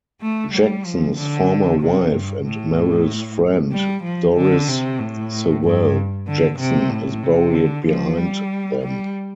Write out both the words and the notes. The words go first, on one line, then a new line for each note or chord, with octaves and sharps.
Jackson's former wife and Merrill's friend, Doris Sewell Jackson is buried behind them.
A3
G3
F3
D3
C3
G2
A2
G3
F3
D3
C3
A2
G2
D3
C3
A2
C3
D3
F3
G3
G3